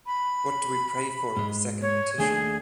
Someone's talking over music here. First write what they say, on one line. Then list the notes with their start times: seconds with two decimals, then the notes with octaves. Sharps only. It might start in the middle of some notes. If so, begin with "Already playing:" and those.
What do we pray for in the second petition?
0.06 B5
1.37 G#2 G#3
1.82 C#5
2.18 D#2 A3 D4 G#4